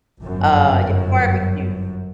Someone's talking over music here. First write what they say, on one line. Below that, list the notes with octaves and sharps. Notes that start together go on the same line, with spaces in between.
uh, your barbecue.
G1 F#2